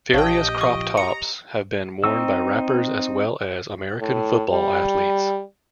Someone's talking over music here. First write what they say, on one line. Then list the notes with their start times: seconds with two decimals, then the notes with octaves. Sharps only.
Various crop tops have been worn by rappers as well as American Football athletes.
0.13 A#1 G4 C#5 D#5 F5 G5 A5
0.61 F4 C#6
0.97 A#5 C#7
2.04 C4 D#4 C#6 E6
3.98 A2
4.50 G3